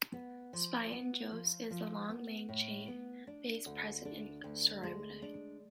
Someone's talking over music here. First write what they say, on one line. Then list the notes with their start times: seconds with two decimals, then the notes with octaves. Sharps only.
Sphingosine is the main long-chain base present in ceramide.
0.13 B3
0.53 F3
0.92 B3
1.31 F3
1.70 F3
2.09 B3
2.49 A2
2.88 B3
3.27 D4
3.66 D2
4.05 D4
4.44 D2
4.83 G#3
5.22 D4